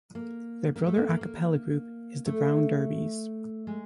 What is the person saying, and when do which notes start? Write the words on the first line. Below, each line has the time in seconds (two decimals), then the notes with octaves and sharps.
Their brother a cappella group is The Brown Derbies.
0.15 A#3
0.76 A#3
0.86 A3
0.97 A#3
1.09 A#3
1.21 A#3
2.26 A3
3.67 G#3